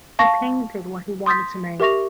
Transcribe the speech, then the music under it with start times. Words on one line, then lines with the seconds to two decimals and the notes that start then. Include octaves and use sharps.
He painted what he wanted to make.
0.19 F5 A5 C#6 A#6
1.26 C6 D#6 G6 A6 B6
1.80 G4 A#4 E5 C#6 A#6 F7